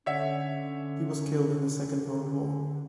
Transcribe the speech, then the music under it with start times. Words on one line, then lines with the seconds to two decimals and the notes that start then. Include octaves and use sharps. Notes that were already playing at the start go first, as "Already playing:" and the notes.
He was killed in the Second World War.
0.06 D3 C#4 C#5 D5 E5 F#5